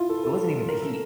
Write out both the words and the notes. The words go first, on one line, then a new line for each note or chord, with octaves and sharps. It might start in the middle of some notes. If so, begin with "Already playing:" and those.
it wasn't even the heat.
Already playing: E4 F4
A4
A4
A#4
A4